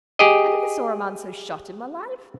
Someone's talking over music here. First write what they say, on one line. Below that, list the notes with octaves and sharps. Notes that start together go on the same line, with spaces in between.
I never saw a man so shot in my life.
G4 G#4 D#5